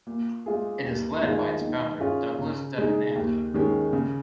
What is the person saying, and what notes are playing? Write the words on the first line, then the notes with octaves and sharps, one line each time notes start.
It is led by its founder Douglas Devananda.
A#2
G#3 F4 G#4
D#2
D#3 G#3 F4 G#4
D#3
C#4 F4 G#4
C#3
G#3 D#4
D#2
D#3 G#3 C#4
C#3